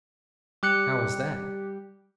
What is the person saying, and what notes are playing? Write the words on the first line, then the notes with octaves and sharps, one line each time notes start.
"How was that?"
G3 G4 D6 F#6 C#7